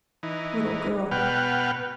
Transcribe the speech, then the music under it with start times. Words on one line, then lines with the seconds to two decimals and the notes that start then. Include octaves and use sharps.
Little girl.
0.23 E3 D#4
1.11 B2 B4 F#5 G5 F6